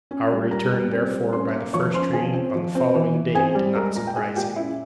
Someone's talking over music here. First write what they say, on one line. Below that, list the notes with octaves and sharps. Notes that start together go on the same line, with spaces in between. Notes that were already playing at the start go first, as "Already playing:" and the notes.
Our return, therefore, by the first train on the following day did not surprise him.
C#4
G3
G3 A#4 A#5
G3
C4
G3
C#4 C5 C6
A#3
F3 C#5 C#6
C#4 C5 C6
F3 G#4 G#5
C4
F3
C4
E3
E3
C4 G#4 G#5
G3
G#3 A#4 A#5
A#2 A#4 A#5
G5
G#3 G#4 G#5
A#2 G4 G5
C#4 E4 E5